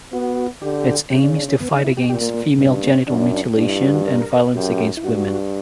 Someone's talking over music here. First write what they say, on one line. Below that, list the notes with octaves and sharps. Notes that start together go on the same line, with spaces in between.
Its aim is to fight against female genital mutilation and violence against women.
B3 F#4
D3 G4
C#3 G4
C#4
D4
D4
C#4
B3
D4
E4
G4
A#2 G4
A#3
A#3
G2 B2
C#3
B3
C#4
F#2 D4
G2 D4
E4
F#4
F#4
A#4
F#2 G4
E4
G2 F#4